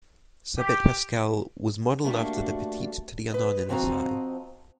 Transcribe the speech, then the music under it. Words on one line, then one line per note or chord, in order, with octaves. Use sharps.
Sabet Pascal was modeled after the Petit Trianon in Versailles.
G4
G3 A3 A#3 D4 F#4
B4 D#5
F2 F3 C4 F#4 D#5 A#5